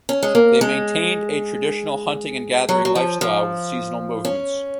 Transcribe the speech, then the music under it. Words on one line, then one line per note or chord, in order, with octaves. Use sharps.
They maintained a traditional hunting and gathering lifestyle with seasonal movements.
C#4
G#3
A#3
G#3
F#3
F#3
F3
F3
C#4